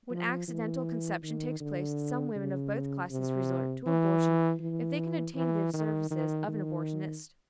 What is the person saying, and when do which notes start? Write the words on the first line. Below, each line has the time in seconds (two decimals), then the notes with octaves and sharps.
When accidental conception takes place, some women of both classes resort to abortion if they can obtain the services of an abortionist.
0.10 F3
0.48 E3
1.23 D#3
1.60 D3
2.36 C#3
3.11 C3
3.86 E3
4.60 E3
5.36 E3
5.73 D#3
6.10 D#3
6.48 D#3